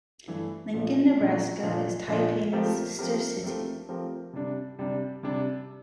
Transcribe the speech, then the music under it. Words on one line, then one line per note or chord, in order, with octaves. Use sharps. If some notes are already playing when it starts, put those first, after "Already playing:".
Lincoln, Nebraska is Taiping's sister city.
G2 E3 A3 E4
A#2 F3 A3 D4
A#2 F3 A3 D4
A#2 F3 A3 D4
A#2 F3 A3 D4
F3 A3 C4 G4 A#4
F3 A3 C4 G4 A#4
F3 A3 C4 G4 A#4
F3 A3 C4 G4 A#4
C3 G3 D4
C3 G3 D4
C3 G3 D4